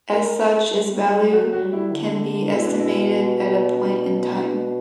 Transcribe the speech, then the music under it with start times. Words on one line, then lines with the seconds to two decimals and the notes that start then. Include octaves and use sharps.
As such, its value can be estimated at a point in time.
0.13 A#4
0.73 G3
1.32 F#3 F#4
1.53 F#4
1.63 G3
1.73 E4
1.92 D3
2.52 B2 E4
2.66 D4
2.80 E4
3.73 D4
4.03 C#4
4.32 B2 D4